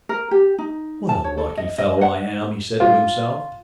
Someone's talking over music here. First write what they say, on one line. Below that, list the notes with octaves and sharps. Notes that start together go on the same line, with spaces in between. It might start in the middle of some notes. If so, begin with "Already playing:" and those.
"What a lucky fellow I am!" he said to himself.
A#4
G4
D#4
A5
C#5
A4
D#5
D#5
F#5
F4